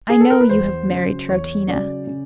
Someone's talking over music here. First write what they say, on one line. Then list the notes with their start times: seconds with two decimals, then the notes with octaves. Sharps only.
I know you have married Troutina.
0.10 G#4
0.21 A4
0.30 A#4
0.41 B4
0.50 E2 C5
0.90 C#3 F#3
1.28 E2 C#5
1.68 C#3 F#3 D5
2.07 C#3